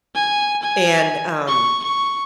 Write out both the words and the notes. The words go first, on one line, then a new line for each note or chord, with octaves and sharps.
and, um,
G#5
G#5
C#6
C#6